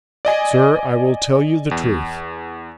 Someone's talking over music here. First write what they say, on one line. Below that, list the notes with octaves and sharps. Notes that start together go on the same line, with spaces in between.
'Sir, I will tell you the truth.
D5 D#5 G#5
E2